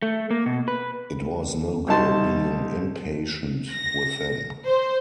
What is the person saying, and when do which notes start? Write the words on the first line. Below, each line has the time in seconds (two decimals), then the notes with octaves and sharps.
It was no good being impatient with him.
0.02 A3
0.31 A#3
0.46 B2
0.68 B4
1.88 C2 D#4 A5 C6
3.72 A#6
4.66 C5